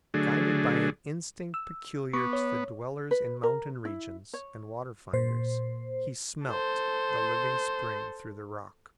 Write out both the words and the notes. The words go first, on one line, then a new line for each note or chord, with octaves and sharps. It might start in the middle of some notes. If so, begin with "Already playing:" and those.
Guided by an instinct peculiar to the dwellers in mountain regions and water finders, he "smelt" the living spring through the rock.
D3 F#3 A3 D4 G#4
E6
B3 C#6 D6
C#5
B4
A#4
E4
C#5
A#2 C5
A4 C5